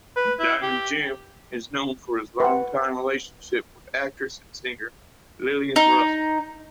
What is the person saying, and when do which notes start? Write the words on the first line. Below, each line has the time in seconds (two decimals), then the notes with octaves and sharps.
"Diamond Jim" is known for his longtime relationship with actress and singer Lillian Russell.
0.16 B4
0.39 E4
0.62 G4
2.40 B4 F#5
5.76 D#4